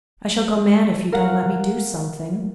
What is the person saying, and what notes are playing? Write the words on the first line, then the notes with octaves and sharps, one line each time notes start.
I shall go mad if you don't let me do something.
A#4 F5 F#5